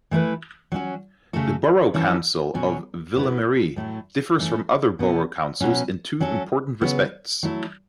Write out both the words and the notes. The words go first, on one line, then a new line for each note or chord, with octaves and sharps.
The borough council of Ville-Marie differs from other borough councils in two important respects.
E3 A3 E4 B4
F#3 C#4 F#4
C#3 A3 F#4 A4
E3 C#4 E4 A4
B2 F#3 C#4 F#4
B2 B3 E4 B4
A2 F#3 A3 E4
E3 A3 C#4 A4
B2 B3 A4
B2 F#3 C#4
F#3 C#4 F#4 A4
C#3 F#3 B3
F#3 A3 E4 A4